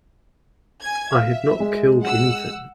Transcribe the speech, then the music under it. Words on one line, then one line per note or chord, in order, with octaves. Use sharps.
I have not killed anything.
G#5 G#6
E5 F5 F6
G#3
F#5 E6